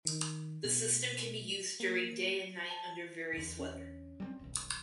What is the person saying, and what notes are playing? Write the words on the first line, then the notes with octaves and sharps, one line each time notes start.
The system can be used during day and night under various weather.
D#3
B2
A#3
A5
E2 D3
C#4
G3 A3 C4
D#1 B1